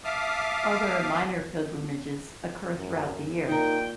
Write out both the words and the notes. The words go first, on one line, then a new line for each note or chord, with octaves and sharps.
Other, minor pilgrimages occur throughout the year.
E5 F5 A5 D6 D#6 F6
F#2
A#2 D#4 A#4 G5